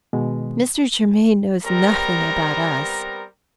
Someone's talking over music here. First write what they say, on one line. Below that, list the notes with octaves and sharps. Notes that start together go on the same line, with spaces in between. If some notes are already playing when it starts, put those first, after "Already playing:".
Mr. Germaine knows nothing about us.
B2 D#3 G#3
G3 B3 C4 A#4 A#5